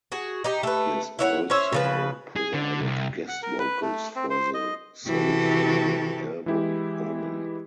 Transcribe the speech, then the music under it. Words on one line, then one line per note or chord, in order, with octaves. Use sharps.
He has also provided guest vocals for the Soulfly album "Omen".
F#4 G#4
D#4 G4
A3 B4
E4 C#5 F#5
C#4 C5 C#5 E5
C#3 F3 B4
G#4
D3
C2
F#5
A#4
B4
A3
C4
C5
D#5
C3 E3 F#4 G4 A4
E3 G#3 E4 G4